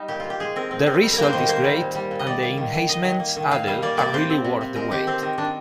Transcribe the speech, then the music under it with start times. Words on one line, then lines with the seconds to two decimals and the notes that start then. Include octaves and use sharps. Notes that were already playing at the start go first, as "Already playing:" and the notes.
The result is great and the enhancements added are really worth the wait.
Already playing: G3 D#4
0.08 A#2 G4
0.20 A#2 F4
0.30 G4
0.40 G#3 G#4
0.56 C4 A#4
0.71 C4
0.87 C4
1.02 G3
1.13 A#4
1.18 A#3 C5
1.33 D#3 C5
1.49 A#3 C5
1.64 G3
1.80 A#2
1.95 G3
2.11 A#2
2.19 D#5
2.26 D#3 D5
2.42 A#3
2.57 D#3
2.74 D#3
2.89 D#3 D#5
3.04 D#3
3.20 A#3
3.36 D#3
3.51 A#2 F5
3.67 G3 F5
3.82 A#3 D5
3.97 A#3 D5
4.13 C3 C5
4.30 C4
4.44 C3
4.61 C3
4.76 G#3 A#4
4.91 D#3 G4
5.07 C4 C5
5.22 D#3 A#4
5.38 D#3 D4